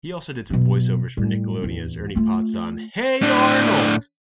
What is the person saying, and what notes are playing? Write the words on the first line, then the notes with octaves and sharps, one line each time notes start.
He also did some voiceovers for Nickelodeon as Ernie Potts on Hey Arnold!
B2 F#3
A2 G3
D1 E2
A3 F4
A2 D4